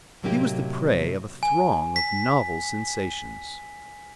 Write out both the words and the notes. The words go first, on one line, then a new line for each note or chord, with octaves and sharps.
He was the prey of a throng of novel sensations.
A2 C3 F#3 A#3 D#4 G4
G#5
B6